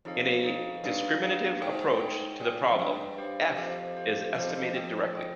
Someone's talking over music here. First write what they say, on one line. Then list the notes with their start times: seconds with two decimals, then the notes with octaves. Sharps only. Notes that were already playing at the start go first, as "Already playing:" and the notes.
In a discriminative approach to the problem, "f" is estimated directly.
0.05 F2 D#4 G#4 C#5 F5
0.44 D#4 G#4 C#5 F5
0.84 G2 D#4 G#4 C#5 F5
1.23 D#4 G#4 C#5 F5
1.62 G#2 G#4 C#5 G5
2.01 G#4 C#5 G5
2.40 A#2 G#4 C#5 G5
2.71 F2
2.79 G2 G#4 C#5 G5
3.18 G4 C5 F5
3.57 F2 G4 C5 F5
3.97 G4 C5 F5
4.35 F2 G4 C5 F5
4.55 F2
4.74 F2 G#4 D#5 G5
5.13 G#4 D#5 G5